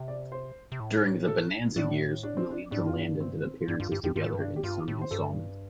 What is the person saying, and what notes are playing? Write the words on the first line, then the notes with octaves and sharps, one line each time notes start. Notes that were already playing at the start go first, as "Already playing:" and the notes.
During the "Bonanza" years, Williams and Landon did appearances together in some installments.
Already playing: C3
D5
C5
C3
A2
A4
A2 D4
D4
C4
D4
A2 D4
G2
F2 F4
G2 D4
C4
C4
F4
G2 D4
G2 F4
G2 G4
F2 G4
G2 F4
A2
G2
D4
G4
G2 F4
A2
C5
G2 A4